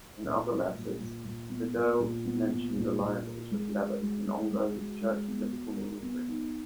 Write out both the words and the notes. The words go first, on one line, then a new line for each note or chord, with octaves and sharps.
In other letters, Prideaux mentioned alliances with Levett in ongoing church political maneuverings.
A#2
F#3
A#2
A#2
A#2
B3
A#2
A#2
B3
A#2
A#2
A#2
A#4
G#3
F#4
G#3
G#3
G#3
F#4
G#3
B3
F#4
A#4
B3
D#4